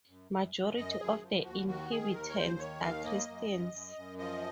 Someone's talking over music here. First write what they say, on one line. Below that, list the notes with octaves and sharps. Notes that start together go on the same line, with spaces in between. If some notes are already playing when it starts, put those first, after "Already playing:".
Majority of the inhabitants are Christians.
F#2
F#2
F#2
F#2 D#5
F#2 G#4
F3
D#2 F#4
D#3 F#4
D#3 G#4
D#2 A#4
C#5
D#2 C5
D#3 C#5
D#2 F5
A#3 D#5
F#2
F#2
F#2
F#2
F3 D#5